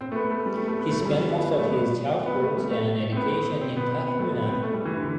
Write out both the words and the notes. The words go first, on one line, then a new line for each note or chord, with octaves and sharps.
He spent most of his childhood and education in Tahuna.
C4
A3
B3
A3
G3
A3
A3
B3
A3
F#3
G3
G3
B3
A3
B3
B3
A3
G3
A3
C4
B3
C4
B3
C4
B3
A3
B3
C4
B3
A3
G3
E3
D3